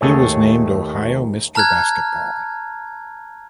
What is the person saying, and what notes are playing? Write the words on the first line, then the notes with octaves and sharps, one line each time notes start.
He was named Ohio Mister Basketball.
D#2 A3 G#4 C#5
A5 A#5 F6 F#6 G#6